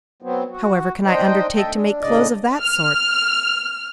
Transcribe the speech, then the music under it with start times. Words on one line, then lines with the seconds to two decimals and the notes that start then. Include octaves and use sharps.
'However can I undertake to make clothes of that sort?
0.22 F#3 B3 C4
0.51 F#4
1.05 D4 D#4 C5 D#5 G5
1.56 D2 A4 D#5 E5 G5
1.71 D4
2.01 A2 C#3 D4 D5 D#5
2.61 F6